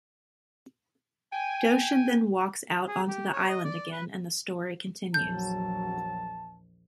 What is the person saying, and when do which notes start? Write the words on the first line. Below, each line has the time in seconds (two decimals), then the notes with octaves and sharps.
Doshin then walks out onto the island again and the story continues.
1.32 G5 G#5
2.88 G#4
3.08 G4
3.32 C#5
3.49 D#5
3.64 D5
3.92 B4
5.14 A#1 E2 F#3 A5 G6